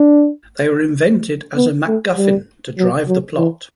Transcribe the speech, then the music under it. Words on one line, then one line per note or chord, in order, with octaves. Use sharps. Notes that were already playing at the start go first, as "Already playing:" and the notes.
They were invented as a MacGuffin to drive the plot.
Already playing: D4
B3
A3
G3
F#3
F#3
E3